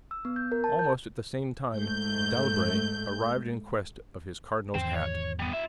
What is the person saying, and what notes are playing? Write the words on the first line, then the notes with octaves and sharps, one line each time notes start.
Almost at the same time d'Albret arrived in quest of his cardinal's hat.
E6
B3
G6
A#4
A5
G6
G#2 A3 G6
E2 G#2 D#3 C5 G5
C#5
G3 B3
F4 E5